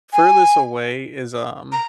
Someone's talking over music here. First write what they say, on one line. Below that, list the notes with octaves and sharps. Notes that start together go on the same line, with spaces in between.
furthest away is, um,
G#5
A#5